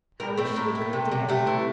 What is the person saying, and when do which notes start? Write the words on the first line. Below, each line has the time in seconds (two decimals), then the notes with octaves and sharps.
"I wish you a good day."
0.20 A2 A#4
0.37 A3 C4
0.56 A2 A#3
0.75 A3
0.93 C3
1.12 C3
1.29 C3 A3
1.47 E3